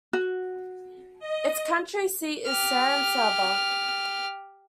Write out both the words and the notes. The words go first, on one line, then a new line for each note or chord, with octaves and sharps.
Its county seat is San Saba.
F#4
D#5
G4 F6